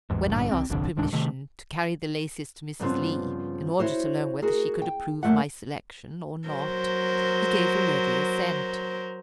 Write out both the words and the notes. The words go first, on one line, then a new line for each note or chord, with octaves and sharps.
When I asked permission to carry the laces to Mrs. Lee, in order to learn whether she could approve my selection or not, he gave a ready assent.
A1 E2 G#2
A1 G2 A#2 D3
C2 C4
G1 C2 F2 D3
D1 C2 G#2 D4
C3 D#3 A3
G2 C#3 F3 G3 B3 C4
E4 F#4 C5 C#5
F#4 G#4 A#4
G5
F#2 A3 A#3 E5 F#5
F#3 A#4 C5